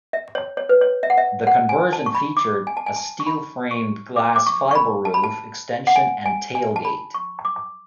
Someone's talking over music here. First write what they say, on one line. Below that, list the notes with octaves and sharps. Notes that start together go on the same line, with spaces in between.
The conversion featured a steel-framed glass fibre roof extension and tailgate.
E5
C#5
C#5
B4
C#5
E5
F#5
E5
F#5
G#5
A5
C#6
B5
D6
G#5
A5
G#5
A5
C#6
B5
C#6
D6
D6
C#6
C#6
B5
A5
B5
A5
F#5
G#5
G#5
G#5
A5
B5
C#6
D6